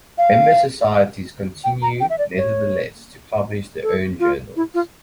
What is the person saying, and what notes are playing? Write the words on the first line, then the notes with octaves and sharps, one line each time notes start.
Member societies continue nevertheless to publish their own journals.
F5
G5
A#5
G5
E5
D5
C#5
A4
F4
E4
F4